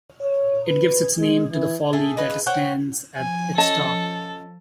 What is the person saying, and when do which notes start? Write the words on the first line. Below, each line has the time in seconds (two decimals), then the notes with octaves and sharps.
It gives its name to the folly that stands at its top.
0.21 C#5
0.67 B4
1.19 G#3
1.51 E3
1.93 A3 G#4 A4
2.17 D#4 F4 G#4 B4
2.46 C5 C#5 F#5 G5
3.16 F3 G#5
3.58 C#4 A4 D#5 A5